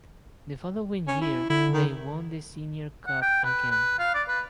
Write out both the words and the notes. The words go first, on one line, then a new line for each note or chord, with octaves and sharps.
The following year they won the Senior Cup again.
C#4
E4
D3 E4
D#3
F#5
G5
B4
B4
F5
D5
B4